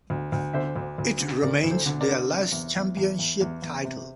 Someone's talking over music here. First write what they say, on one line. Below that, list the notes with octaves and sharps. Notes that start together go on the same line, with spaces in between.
It remains their last championship title.
D2
D2
D3 C5 E5
D2
D2
D3
D2 A#4 D5
D2
A4 C5
D3
A#4 D5
D3
C3
E2
E2
E2
E2
E2
E2
C3